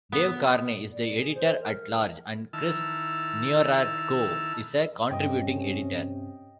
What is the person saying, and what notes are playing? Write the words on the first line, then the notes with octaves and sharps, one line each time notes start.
Dave Carnie is the editor-at-large and Chris Nieratko is a contributing editor.
B3
D5
G#4
C5
A#4
D#3 E4 A5 E6 F6
G2 C3 C#4 D#5 G5